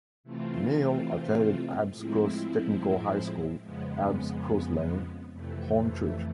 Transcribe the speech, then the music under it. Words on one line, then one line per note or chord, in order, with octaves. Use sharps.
Neill attended Abbs Cross Technical High School, Abbs Cross Lane, Hornchurch.
C3 E3 A3 C4 F4
A2 F3 G#3 C4 E4
F2 C#3 F3 G#3 B3
F2 C3 E3 A3